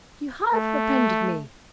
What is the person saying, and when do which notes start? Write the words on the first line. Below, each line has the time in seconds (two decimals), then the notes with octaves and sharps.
"You have offended me."
0.54 A3